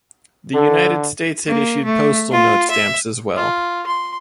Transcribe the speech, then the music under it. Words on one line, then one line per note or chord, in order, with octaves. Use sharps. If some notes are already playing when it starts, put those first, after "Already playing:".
The United States had issued postal note stamps as well.
D3 A4
A#3
A3
F4
E5
F4
C6